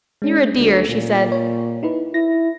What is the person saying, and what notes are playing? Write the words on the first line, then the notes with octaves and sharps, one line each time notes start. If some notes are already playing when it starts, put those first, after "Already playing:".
'You're a dear,' she said.
G#3 C#4 D4
D2
A#2
C#5
D#4 E4 B4
E4 A#6